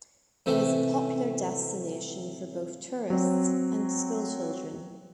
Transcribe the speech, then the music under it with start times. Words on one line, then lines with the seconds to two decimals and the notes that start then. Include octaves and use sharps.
It is a popular destination for both tourists and schoolchildren.
0.46 A2 C3 E3 A3
3.10 F#3 C4